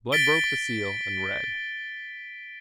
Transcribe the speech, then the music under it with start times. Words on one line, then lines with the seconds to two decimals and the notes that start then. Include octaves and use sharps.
Blood broke the seal, and read.
0.12 A6 B6 D7 G7